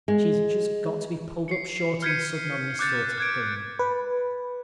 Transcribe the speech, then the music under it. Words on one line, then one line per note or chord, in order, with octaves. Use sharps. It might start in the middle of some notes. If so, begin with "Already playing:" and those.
She's just got to be pulled up short and sudden on this sort of thing.
G#3
C7 C#7
F6 G6 G#6 B6 C#7 D#7
D6 F#6 G6 A6 C#7
F#6 G#6 D7
B4